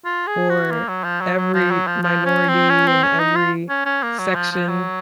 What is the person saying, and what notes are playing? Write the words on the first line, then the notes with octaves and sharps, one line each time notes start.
for every minority and every section,
F4
G#4
F#4
A#3
F#3
F3
F#3
F#3
F3
F#3
F3
F3
C#4
C4
C#4
C4
C#4
D#4
F4
C#4
C#4
A#3
F#3
F3
F3
F#3